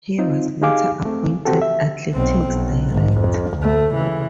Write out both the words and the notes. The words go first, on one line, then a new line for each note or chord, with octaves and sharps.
He was later appointed athletics director.
C4 D#4 F4
D#4 G4 G#4 F5 D6
A3 C4
C#3 C4 F#4 G4 A4
E5
B1 C4
B1
G#1
F2
D2 A3
C#3 E3